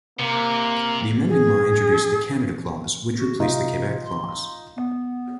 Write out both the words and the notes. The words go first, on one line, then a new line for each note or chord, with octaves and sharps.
The amending law introduced the "Canada Clause" which replaced the "Quebec Clause".
C3 A#3
G#4
F#4
C3 D#4 F4 D#5
C6
B3